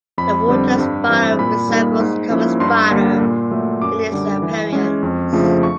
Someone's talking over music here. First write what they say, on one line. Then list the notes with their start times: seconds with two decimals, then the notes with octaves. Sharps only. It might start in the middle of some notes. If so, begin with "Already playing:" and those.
The water-spider resembles the common spider in its appearance.
0.18 F2 B5
0.48 D3 G3 C4
0.78 G2
1.09 E3 G3 C4
1.39 A#2 B5
1.69 G3 A#3 D#4
2.00 G#2
2.30 F3 A#3 C#4 E4
2.60 G2 C6
2.91 D3 G3 A#3
3.21 A#2
3.51 F#3 A3
3.82 F#2 D6
4.12 D3 G3
4.42 E3
4.73 G#3 C#4
5.03 F2
5.33 C#3 F3 A3 D4
5.63 C#6